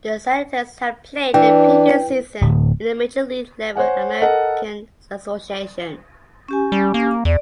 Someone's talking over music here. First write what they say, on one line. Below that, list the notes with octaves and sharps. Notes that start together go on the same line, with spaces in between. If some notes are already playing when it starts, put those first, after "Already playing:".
The Senators had played the previous season in the major league level American Association.
E3 D4 G5
D1
C5 C#5 F#5 G#5
A4 A#4 D#5 F#5
C#4 G4 G#5
G3
A#3
E2 D5